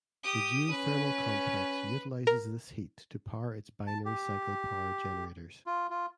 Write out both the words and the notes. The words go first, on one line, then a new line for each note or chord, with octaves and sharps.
The geothermal complex utilizes this heat to power its binary cycle power generators.
G4 D#6
C#4 B4
A#4
A5
G4
F4
F4